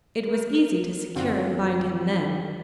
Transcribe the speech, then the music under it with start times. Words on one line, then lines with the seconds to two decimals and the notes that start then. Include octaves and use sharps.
It was easy to secure and bind him then.
0.23 A#4
1.15 F#2 D3 C4 F4 F#4